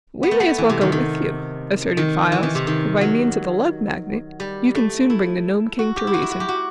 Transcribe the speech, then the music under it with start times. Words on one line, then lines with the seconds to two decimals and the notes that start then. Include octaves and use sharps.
"We may as well go with you," asserted Files, "for by means of the Love Magnet, you can soon bring the Nome King to reason."
0.23 B3
0.31 A3
0.40 B3
0.58 E3
0.69 C3
0.81 D#3
0.92 D#3
1.97 D#3
2.32 E3
2.43 D#3
2.55 C3
2.67 D#3
3.01 F#3
4.40 G3
4.75 A3
5.10 E4
5.79 F#4
5.96 G4
6.07 E4
6.14 F#4
6.22 E4
6.31 F#4
6.40 G4
6.48 F#4